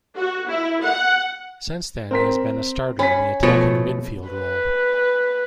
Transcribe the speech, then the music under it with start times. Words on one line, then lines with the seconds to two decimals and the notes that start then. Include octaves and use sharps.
Since then he has been a starter in the attacking midfield role.
0.18 F#4
0.48 E4
0.84 F#5
2.11 C4 A#4 B6
2.99 C#4 B5 B6
3.43 B2 F3 A3 C#5
4.29 B4